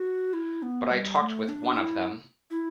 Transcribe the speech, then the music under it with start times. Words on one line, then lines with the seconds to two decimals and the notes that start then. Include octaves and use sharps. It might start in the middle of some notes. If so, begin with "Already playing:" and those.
But I talked with one of them.
Already playing: F#4
0.33 E4
0.62 B3
0.91 G3
1.20 A3
1.49 D4
1.77 E4
2.51 E4